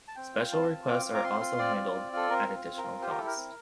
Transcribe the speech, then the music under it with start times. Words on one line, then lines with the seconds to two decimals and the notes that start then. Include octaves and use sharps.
Special requests are also handled, at additional cost.
0.08 A5
0.16 C4 G5
0.34 F4
0.52 C4 A5
0.69 F4
0.88 C4 D6
1.06 F4
1.14 A#5
1.24 C4 C6
1.40 F4
1.59 C4 D5
1.76 F4
1.95 C4
2.13 F4 A4
2.30 C4 A#4
2.48 F4
2.65 C4
2.78 A#4
2.83 F4
3.02 G4 C5
3.10 A#4
3.18 E4 A4
3.27 A#4
3.37 C4